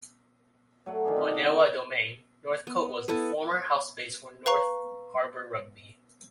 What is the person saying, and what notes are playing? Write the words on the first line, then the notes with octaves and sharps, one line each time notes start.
Onewa Domain, Northcote was the former home base for North Harbour rugby.
F#3 A3 F#5
D#3 E3 D4 G#4
C4 F4 G4 D#5
B2 F#5
D3
B3
B3 E4 A4 B4
B4 F5 A#5 C#6